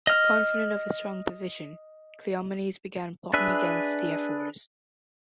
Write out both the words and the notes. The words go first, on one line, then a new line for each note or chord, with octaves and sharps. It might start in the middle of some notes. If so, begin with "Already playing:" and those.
Confident of his strong position, Cleomenes began plotting against the ephors.
D#5 F6
D4 G#4 B4 E5